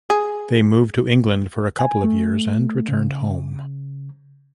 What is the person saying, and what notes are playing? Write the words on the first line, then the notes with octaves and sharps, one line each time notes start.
They moved to England for a couple of years and returned home.
G#4
G#5
A3
C#3